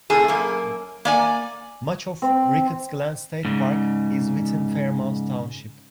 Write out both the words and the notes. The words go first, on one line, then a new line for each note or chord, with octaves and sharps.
Much of Ricketts Glen State Park is within Fairmount Township.
A2 C3 G#4 A4
F#2 A#3
A#3 D5 G#5
C4
G#2 C#3